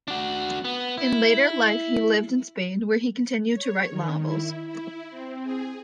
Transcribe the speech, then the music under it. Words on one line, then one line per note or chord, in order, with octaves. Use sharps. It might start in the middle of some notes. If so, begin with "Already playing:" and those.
In later life he lived in Spain, where he continued to write novels.
D4 F#4
B3
E4
C#5
D#3
E4
E4
C4
G#4